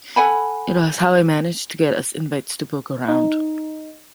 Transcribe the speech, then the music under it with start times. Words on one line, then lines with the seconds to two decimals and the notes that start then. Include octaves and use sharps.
It was how I managed to get us invites to poke around.
0.16 A4 F#5 G#5 B5
3.09 D#4